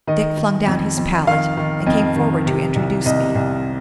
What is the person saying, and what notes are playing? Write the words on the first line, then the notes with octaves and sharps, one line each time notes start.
Dick flung down his palette, and came forward to introduce me.
D#3 D#5
D#3
F2
F2
D#3 F5
D#3
F2 D#5
D#3
C3
C2
C2 D#5
C2